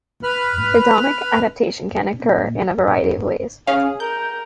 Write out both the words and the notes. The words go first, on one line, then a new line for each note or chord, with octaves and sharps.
Hedonic adaptation can occur in a variety of ways.
B4 B5 F6
C#4 G#4 F5
A#4 G6